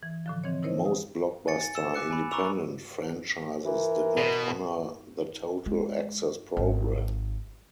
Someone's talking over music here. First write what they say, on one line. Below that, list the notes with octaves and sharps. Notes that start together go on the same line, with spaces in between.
Most Blockbuster independent franchises did not honor the Total Access program.
E3
A2 D3 F3
D#3 E3 C4 C#5
D#4 E4 A#4 C5 C#5 D#5
D#6
G#5 A6 C#7
A6
E6 E7
D6 F#6 C#7
G#5 B5
A#5 B5 C#6 D6 E6 F7
E3 A#4
B2
G#3
G#1